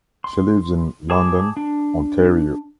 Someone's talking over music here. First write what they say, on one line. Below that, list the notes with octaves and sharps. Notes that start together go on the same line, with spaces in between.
She lives in London, Ontario.
C6
G#4 A5 D6
D4